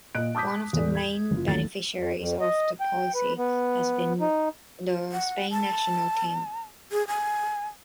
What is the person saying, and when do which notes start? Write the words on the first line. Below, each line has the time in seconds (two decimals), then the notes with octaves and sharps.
One of the main beneficiaries of the policy has been the Spain national team.
0.15 A#2 D#5 F#6 D7
0.35 A5 D6 D#6 G6 B6
0.73 E2 A2 D5
0.95 G#6
1.31 F#1 F4
1.47 A1 D#2 A3 A6
1.99 F2
2.19 F2
2.41 D#5
2.80 G5
3.15 B4
3.38 B3
4.21 D#4
5.12 F#5
5.51 A5
6.92 G#4
7.08 G#5